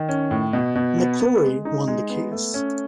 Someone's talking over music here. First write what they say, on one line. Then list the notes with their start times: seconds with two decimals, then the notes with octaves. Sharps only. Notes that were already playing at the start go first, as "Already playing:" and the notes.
McClory won the case.
Already playing: D#3
0.09 C#4
0.31 A2
0.53 B2
0.75 B2
0.98 B3
1.21 B3
1.43 G#3
1.65 D#4
1.88 G#3
2.10 B3
2.32 A3
2.54 C#4